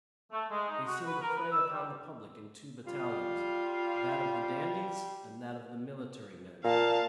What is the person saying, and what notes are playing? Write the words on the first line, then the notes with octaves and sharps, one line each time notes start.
They seem to prey upon the public in two battalions--that of the dandies and that of the military men.
A3
G#3
D#4
F#4
B4
A#4
B4
E6
G3
G3 F4
A#2 F5 A5